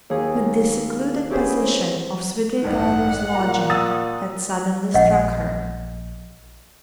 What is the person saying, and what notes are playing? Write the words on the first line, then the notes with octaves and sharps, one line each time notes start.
But the secluded position of Svidrigailov's lodging had suddenly struck her.
D#2 G#4
C#4 E4 G4 G#4 B4 C5
C4
A1 G2 D#3 F#5
A#2 A#5
D#6 E6 A6
A#1 D#5 F#5